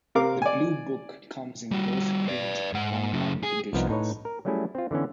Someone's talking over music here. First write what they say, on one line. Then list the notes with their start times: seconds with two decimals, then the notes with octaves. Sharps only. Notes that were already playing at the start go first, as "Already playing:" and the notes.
The "Blue Book" comes in both print and online editions.
0.15 C3 A#4 F5 D6
0.42 D5 G#5
1.72 G3 F#4
2.28 B4 D5
2.73 G#2 F#5
3.13 F#2 C#3
3.43 G#4
3.73 C2 F3 B3 D#4
3.89 A2 D#4 B4 C#5
4.25 A#4
4.45 F#3 G3 A3 C#4 E4 G#4
4.75 C4 F4
4.91 D3 E3 B3 C#4